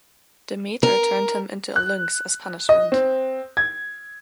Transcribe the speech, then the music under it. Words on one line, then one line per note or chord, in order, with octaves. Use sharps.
Demeter turned him into a lynx as punishment.
A#4
F#6
D#5
C4
G#6